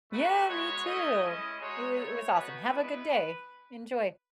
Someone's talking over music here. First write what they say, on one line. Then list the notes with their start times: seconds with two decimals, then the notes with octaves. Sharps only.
Yeah, me too. It wa it was awesome. Have a good day. Enjoy.
0.11 A3 D#4 F#4 B4
0.48 G#3 B3 F#4 C#5
0.85 A3 C#4 E4 D#5
1.22 G#3 C#4 E4 D#5
1.59 G#3 D#4 F#4 C#5
1.97 A3 E4 C#5
2.34 B3 D#4 F#4 B4
2.70 G#3 B3 E4 B4